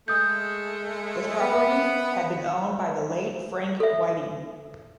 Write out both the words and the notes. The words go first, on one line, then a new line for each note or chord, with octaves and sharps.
This property had been owned by the late Frank Whiting.
G#3 A3 D#6 G6
B3 E5
A4 E5